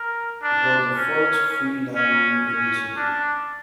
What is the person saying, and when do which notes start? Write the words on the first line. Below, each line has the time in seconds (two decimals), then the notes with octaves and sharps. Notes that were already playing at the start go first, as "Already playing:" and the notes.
It was the first free library in the city.
Already playing: A#4
0.43 D4
0.93 C#4
1.95 C#4
2.46 C#4
2.97 D4